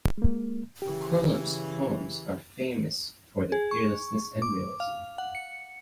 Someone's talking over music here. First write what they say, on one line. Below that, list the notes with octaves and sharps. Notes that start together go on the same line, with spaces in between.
Choinom's poems are famous for their fearlessness and realism.
G#3 A#3
C#3 E3 G4
G#4
C#6
D6
F5
F#5
C#7